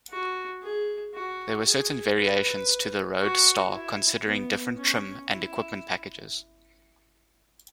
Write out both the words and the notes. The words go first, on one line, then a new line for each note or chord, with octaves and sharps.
There were certain variations to the Road Star considering different trim and equipment packages.
F#4
G#4
F#4
G#4
B4
F#4
E4
B3
C#4
E4